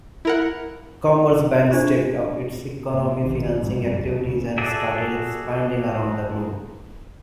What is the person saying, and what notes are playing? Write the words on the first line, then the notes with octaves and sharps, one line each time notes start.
Commerzbank stepped up its economic financing activities and started expanding around the globe.
E4 A#4 F#5
D4 F4 G4 G#4 C5
A1 A#2
A#1 D#3
G#2 C3 F3 G3
F#2 G3
B1 E2 G3
C#2 C#3
F#4 G#4 A4 D5 E5